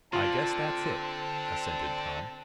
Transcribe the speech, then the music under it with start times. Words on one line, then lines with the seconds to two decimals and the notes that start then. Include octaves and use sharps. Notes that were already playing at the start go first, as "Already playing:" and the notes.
"I guess that's it," assented Tom.
0.13 D3 C4 F4 A5